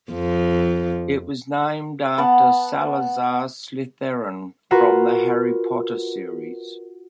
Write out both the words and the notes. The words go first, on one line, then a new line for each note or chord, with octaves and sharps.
It was named after Salazar Slytherin from the "Harry Potter" series.
F2 F3
B3 F#5 A5
F4 F#4 A#4 B4